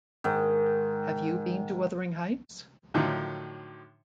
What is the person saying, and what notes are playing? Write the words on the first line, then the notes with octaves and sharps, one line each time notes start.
Have you been to Wuthering Heights?
G#2 D#3
A2 D3 D#3 F3 F#3